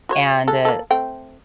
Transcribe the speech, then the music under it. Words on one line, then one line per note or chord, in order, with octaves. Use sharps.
and, uh,
F#4 C5 C#5
G#3 A4
A#3 A4
A3 C4 G5